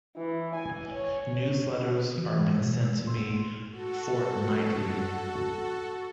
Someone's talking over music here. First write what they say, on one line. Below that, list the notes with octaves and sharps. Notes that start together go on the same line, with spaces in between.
Newsletters are being sent to me fortnightly.
E3
G#5
C#5
E3
G#3
B2
E6
C6
F#4 A4